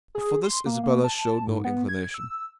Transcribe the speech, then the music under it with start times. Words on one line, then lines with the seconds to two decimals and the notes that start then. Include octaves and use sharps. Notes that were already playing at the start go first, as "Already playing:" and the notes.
But for this Isabella showed no inclination.
0.15 G#4
0.43 C6
0.66 A#3
0.83 A#3
1.04 A5
1.47 G#2
1.65 B3
1.89 G#6
2.14 E6